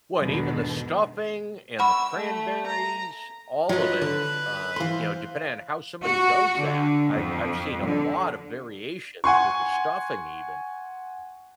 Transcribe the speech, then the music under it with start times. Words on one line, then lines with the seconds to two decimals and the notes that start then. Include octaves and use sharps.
Well, and even the stuffing and the cranberries, all of it. Uh, you know, depending on how somebody does that, I've I've seen a lot of variations with the stuffing even,
0.18 E2 G#2 B2 D3 D#3
1.79 F#5 B5 C#6 E6
2.16 A3
2.66 A#5
3.69 F#3 F4 B4 C#5 D#5
4.02 D3 B4 A5
4.76 E3 C5 F5 C6
6.02 F#4
6.58 D3
7.12 F2
7.85 D3
9.24 F#5 G#5 C6 C#6